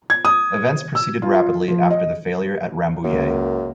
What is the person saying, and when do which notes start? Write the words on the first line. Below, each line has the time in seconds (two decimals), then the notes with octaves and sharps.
Events proceeded rapidly after the failure at Rambouillet.
0.10 G#6
0.25 D#6
0.95 E6
1.22 F4
1.68 F3
1.91 D#5
3.04 C#2 F#2 A#3